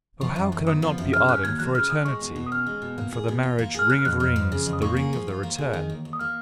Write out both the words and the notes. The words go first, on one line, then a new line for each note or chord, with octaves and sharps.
Oh, how could I not be ardent for Eternity, and for the marriage-ring of rings--the ring of the return?
F3 C#6
F#2
F#2
B3 D#6
F3
F#2
C#3 F6
C#4 F#6
D#2 G#6
F#3 F#6
C#3 F6
C#4 D#6
G#3 C#6
B2
B2
D#6
C#4 F6
G#3
B2
A#3
G#4
B2
F4
A#3
G#4 F6
C#3 F#6
F6
F2 F#6
F2 F6
F3
C#3
F2
D#6
A#3 C#6
G#4
F3
F4
A#3
G#4
D#3
D#2
D#2
D#6
A#3 F6